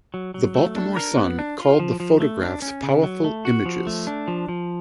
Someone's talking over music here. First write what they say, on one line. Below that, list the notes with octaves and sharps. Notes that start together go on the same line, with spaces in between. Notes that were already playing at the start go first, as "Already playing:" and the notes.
The "Baltimore Sun" called the photographs "powerful images".
F#3
F#3
A3
D4
A#4
B3
D4
F4
F3
F3
A3
D4
C#4
C#3
F#3
A3
F#4
F3
A3
D4
F3
F3